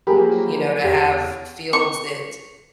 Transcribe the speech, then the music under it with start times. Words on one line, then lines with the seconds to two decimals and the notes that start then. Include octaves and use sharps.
you know, to have fields that
0.07 F3 F#3 A#3 G4 G#4 A#4 B5
0.83 E2 G4 C#5 D7
1.73 C#6